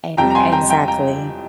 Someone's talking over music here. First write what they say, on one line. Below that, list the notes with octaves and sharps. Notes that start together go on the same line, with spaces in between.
And exactly.
F2 C3 G3 G5 A#5
A#5
G#5 C6
G5 A#5
G5 A#5
G5 A#5